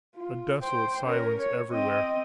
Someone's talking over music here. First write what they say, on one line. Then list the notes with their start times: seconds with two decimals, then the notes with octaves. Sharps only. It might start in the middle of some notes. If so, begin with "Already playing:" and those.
A desolate silence everywhere.
0.15 F4
0.62 C5 G5
1.04 C#4 A#4
1.40 C#5
1.71 C4 D#5